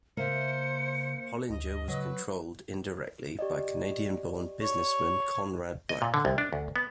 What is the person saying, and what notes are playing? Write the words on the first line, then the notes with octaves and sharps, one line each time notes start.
Hollinger was controlled, indirectly, by Canadian-born businessman Conrad Black.
C#3 A#3 C5 E5 C#7
D2 D#5
C#3 F#3 B4
G4 D5 D#5
C#5
D#5
A#2
D3
C2
D4
D2
B3